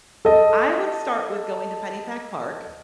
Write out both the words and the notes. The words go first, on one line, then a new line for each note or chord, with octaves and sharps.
I would start with going to Pennypack Park,
A4 D#5